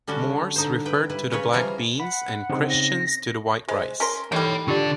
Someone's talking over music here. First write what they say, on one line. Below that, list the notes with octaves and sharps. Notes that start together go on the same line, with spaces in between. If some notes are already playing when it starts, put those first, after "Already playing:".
"Moors" refers to the black beans, and "Christians" to the white rice.
D3 G3 C#4 D4 F#4
D3 D#4 C5
B4 G5
G3 E4 B4
C#3 C#4 B4 C#5
E3 F3 G3 F4 G#5 A#5
F#5 B5
C#3 C4 D#4
A#6
G#3 C5
C#4 A#4 C6
D#3 E3 G3 A4 C#5 G5
D3 F4 G4 D5 C6